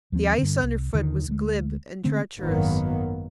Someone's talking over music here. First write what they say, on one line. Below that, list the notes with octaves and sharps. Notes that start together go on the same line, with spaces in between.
The ice underfoot was glib and treacherous.
D#2 F3 B3 C4
G2 D3
C2
D#2 D3 D#3
D2 G#3
D3 A3 C4 C#4
G#1 F#2 D#3 F#3 A#3 B3